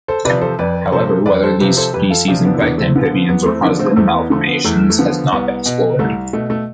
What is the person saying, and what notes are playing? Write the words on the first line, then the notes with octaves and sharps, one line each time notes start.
However, whether these species infect amphibians or cause limb malformations has not been explored.
A4 C5
C3 F3 B4 D5
A4 C5
F2 B4 D5
C3 F3 A4 C5
F2 B4 D5
A4 C5
C3 F3 G4 B4
A4 C5
F2 G4 B4
F4 A4
C3 F3 D4 F4
B3 D4
E4
E2 B3 D4
A3 C4
D3 F3 B3
B3
E2 B3
A3 C4
D3 F3 B3 D4
A3 C4
E2 A3 C4
B3
D3 F3 A3
B3
E2 A3
A3
D3 F3 B3
C2 B3
B2
C2 A3
B2 A3
A3